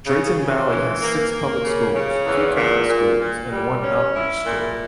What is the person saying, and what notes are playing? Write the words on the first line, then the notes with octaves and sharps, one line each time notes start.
Drayton Valley has six public schools, two Catholic schools, and one outreach school.
C#3
C#3
E3
A#3
A#3
C#3
C#3
E2
A#2
A#2
A#2
G3
C#4
E4
A#2